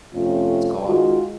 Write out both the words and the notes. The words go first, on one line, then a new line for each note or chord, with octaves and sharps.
It's called,
F2 C3 A3 C#4 F4
D#3 G#3 F4 F#4